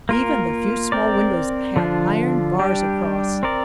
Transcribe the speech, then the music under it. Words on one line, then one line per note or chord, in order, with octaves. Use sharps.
Even the few small windows had iron bars across.
A#3 F4 A#4
C4 A#4 D5
D3 F3 D4 F4
G3 D4 G4
C4 A#4 D5